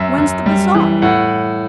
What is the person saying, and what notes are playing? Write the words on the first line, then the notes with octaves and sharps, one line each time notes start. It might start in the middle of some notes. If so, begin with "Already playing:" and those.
'When's the bazaar?'
Already playing: F#2 E5
F#2
G3
E3
A2 F#5